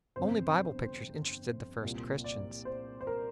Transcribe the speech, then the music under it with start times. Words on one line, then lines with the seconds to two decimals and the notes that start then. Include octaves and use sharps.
Only Bible pictures interested the first Christians.
0.16 G1 F2 C3 C5
1.83 C2 A#2
2.24 D5
2.65 C5
3.01 C5
3.07 A#4